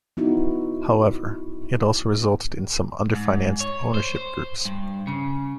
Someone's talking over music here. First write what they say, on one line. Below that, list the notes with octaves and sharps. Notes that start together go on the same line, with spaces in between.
However, it also resulted in some under-financed ownership groups.
B3 D#4 E4 F#4
G#2
C#5
C5
C5
G2
C#3